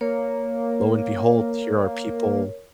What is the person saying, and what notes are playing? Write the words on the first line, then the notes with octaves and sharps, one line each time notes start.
lo and behold, here are people,
A#3 A#4 C#5